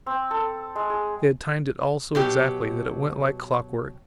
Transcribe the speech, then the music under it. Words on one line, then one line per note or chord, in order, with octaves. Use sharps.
They had timed it all so exactly that it went like clockwork.
C4
A4
G#3
G#4
B2 F#3 G4